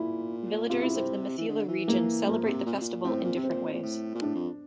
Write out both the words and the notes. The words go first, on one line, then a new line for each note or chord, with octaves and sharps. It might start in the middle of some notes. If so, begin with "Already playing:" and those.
Villagers of the Mithila region celebrate the festival in different ways.
Already playing: A#2 E4
C3 F4
E4
C4
E3
D3
E3
A#3
F3 A#3
C3
A#2
C3
A#2
A2 C4
A#2
C3
C4
A#2
A#2
A2
A#2
A2 D4
F2